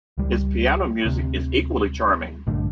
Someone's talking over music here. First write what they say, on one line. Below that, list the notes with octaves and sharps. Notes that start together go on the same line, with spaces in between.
His piano music is equally charming.
C#2 G3
D2 C3
A#1 G2 D3 A3